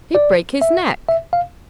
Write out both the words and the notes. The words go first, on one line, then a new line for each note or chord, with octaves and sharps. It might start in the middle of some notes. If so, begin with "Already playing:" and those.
"He'd break his neck."
D5
E5
E5
F5